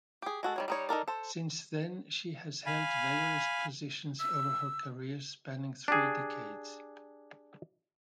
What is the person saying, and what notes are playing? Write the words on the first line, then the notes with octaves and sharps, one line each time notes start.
Since then she has held various positions over her career spanning three decades.
G4 G#4
G#3 F#4 A4
D#3 G3 C#5
G3 D#4 C#5
D#4 A4 A#4 D5
A4 C5
F5 G#5 B5
E6
D4 G4 G#4